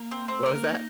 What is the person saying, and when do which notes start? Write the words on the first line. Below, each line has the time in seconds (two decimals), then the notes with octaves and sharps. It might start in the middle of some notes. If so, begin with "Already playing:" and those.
What was that?
Already playing: A#3
0.11 C4
0.28 A3 C4
0.46 A#4
0.55 A#3
0.64 D#4